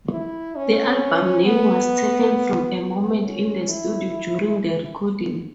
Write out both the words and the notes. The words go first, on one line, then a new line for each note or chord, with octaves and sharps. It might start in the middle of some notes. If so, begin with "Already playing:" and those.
The album name was taken from a moment in the studio during the recording.
E4
C#4
B3
B3
C#4
E4